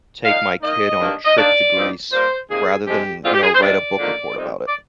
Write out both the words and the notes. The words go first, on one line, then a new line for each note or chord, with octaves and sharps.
take my kid on a trip to Greece rather than, you know, write a book report about it.
A#2 G#3 D#4 F5
D#3 A#3 D#4 D#5
G2 D#3 A#3 D4
D#5
D#3 A#3 D4 D5
G2 F3 C4 D#4
A#2 G3 A#3 C5
C3 F3 A#3 D#4 G#4
F2 C3 F3 G#3 G4
F2 D3 G#3 C4 F4
G4
G#4
C5
C3 D#3 G3 D4 D5
D3 F3 A#3 D#4
F2 C3 G3 C4 D#4
D5